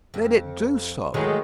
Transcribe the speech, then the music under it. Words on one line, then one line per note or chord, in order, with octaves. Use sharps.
"Let it do so."
F2
D#3 E3 F#3 G#3 A3 G#4